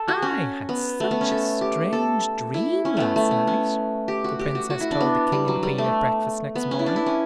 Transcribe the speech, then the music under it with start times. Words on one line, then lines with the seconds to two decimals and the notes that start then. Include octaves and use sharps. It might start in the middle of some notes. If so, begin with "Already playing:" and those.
"I had such a strange dream last night," the Princess told the King and Queen at breakfast next morning.
Already playing: A4
0.08 F#4
0.22 C#4
0.69 B3
1.00 A3
1.11 B3
1.21 C#4
1.32 A4
1.61 G4
1.93 A4
2.54 E4
2.85 C#4
2.97 A3 B3
3.16 A3
3.31 B3
3.47 C#4
4.08 G4
4.24 F#4
4.39 G4
4.55 F#4
4.70 F#4
4.81 E4
4.91 D4
5.01 B3
5.32 G3
5.48 F#3
5.63 G3
5.78 A3
6.56 B3
6.71 C#4
6.79 E4
6.86 D4
6.96 E4
7.06 C#4